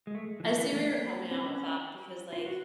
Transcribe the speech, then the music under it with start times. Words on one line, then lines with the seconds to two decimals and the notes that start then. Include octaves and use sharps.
I see where you're coming at with that because like
0.07 G#3
0.15 A3
0.40 E3
0.43 F3
0.58 E3
0.73 A3
0.87 A#3
1.31 C4
1.45 C#4
2.33 F4
2.46 F#4